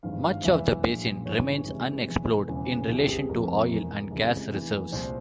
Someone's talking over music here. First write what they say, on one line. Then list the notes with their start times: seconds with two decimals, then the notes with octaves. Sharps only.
Much of the basin remains unexplored in relation to oil and gas reserves.
0.03 G#1 G2 E3 F5
0.23 F5
0.44 E1 E2 E3 E5
0.85 A#1 A#2
1.25 G1 G2 E3 C#5
1.66 C#2 C3 E3
2.07 E1 E2 E3
2.48 E1 E2 C#3 E3
2.89 C2 C3 E3
2.99 G4
3.08 G#4
3.29 F1 F2 C3 A#4
3.70 E1 E2 E3
4.10 C#2 C3 E3
4.51 F1 E2 E3
4.92 C2 A#2 C5